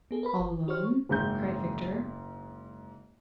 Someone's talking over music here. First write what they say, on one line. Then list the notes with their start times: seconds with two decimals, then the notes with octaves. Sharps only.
"All alone?" cried Victor.
0.11 B3 G#4 A4
0.23 A#4 B4 B5
0.39 G1
0.68 F#4 G4 C5 C#5 C#6 F6
1.09 F#1 G#2 G6